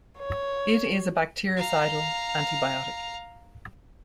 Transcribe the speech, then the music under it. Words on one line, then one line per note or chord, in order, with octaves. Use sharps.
It is a bactericidal antibiotic.
C#5
F5 A#5